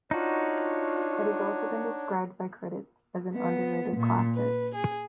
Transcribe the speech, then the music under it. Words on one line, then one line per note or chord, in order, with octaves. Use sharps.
It has also been described by critics as an "underrated classic".
D4 D#4 F4 F#4 C#5
B3
A#2
B4
G#4